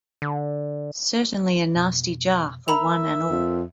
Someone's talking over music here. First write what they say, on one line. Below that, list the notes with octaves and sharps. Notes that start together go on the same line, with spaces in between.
Certainly a nasty jar for one and all.
D3
F2 B2
A#4 E5 A#5 B5 F7
F2